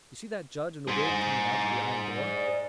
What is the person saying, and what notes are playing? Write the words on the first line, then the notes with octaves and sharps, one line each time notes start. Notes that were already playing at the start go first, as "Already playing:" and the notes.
You see that judge in a wig coming out at the iron door?
G#4 C5
D5